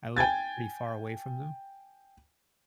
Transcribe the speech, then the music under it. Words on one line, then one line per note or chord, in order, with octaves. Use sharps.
I live pretty far away from them.
G5 G#5 G#6 A6